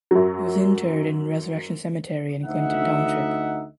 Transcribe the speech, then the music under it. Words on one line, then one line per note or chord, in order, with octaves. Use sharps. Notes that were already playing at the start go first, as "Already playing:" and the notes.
He was interred in Resurrection Cemetery in Clinton Township.
F#2 F#3
D2 D#4 E5 F#5